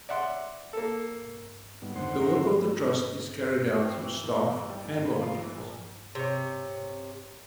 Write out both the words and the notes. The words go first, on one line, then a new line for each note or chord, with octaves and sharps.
The work of the trust is carried out through staff and volunteers.
D5 E5 F#5 C6
A#3 A4
G#2 G3 B3
F2 D3 D#3 C5 F#5 C6
C5 E5 F#5 A#5 C6
C4
E3
A#1
E3
G3
G#2
B4
F4
E3
A#1
C3 C#5